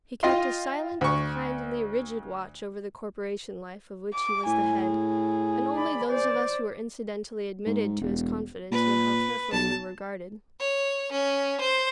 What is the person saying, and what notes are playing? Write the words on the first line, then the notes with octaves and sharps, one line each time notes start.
He kept a silent, kindly, rigid watch over the corporation-life of which he was the head; and only those of us who were incidentally admitted to his confidence knew how carefully we were guarded.
F4 D#5 F5 G5 C6
D2 C#6
D6
A2 G#5
G#4
D5 B5
C5 D5
G#2
E1
A#2 B4
B1 A5
C#5
C#4
C5